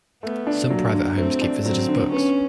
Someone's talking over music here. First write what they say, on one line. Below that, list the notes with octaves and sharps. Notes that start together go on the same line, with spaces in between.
Some private homes keep visitors' books.
A3 B3
D4
F#3 A#3
D3
A3 C4
D4
F#3 C4
D3
B3 C#4